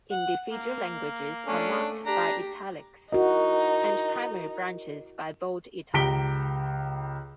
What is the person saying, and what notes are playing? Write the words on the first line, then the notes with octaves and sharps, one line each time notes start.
Individual languages are marked by "italics", and primary branches by bold italics.
F#5
A#3
A3 C#4 D4
D4 G4 A#5
D#4 E4 F#4 A#4 D#5
C#2 G4 A#5 B6 D7 G7